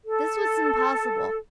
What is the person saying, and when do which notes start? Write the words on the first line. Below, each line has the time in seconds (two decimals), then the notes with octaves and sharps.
This was impossible.
0.05 A4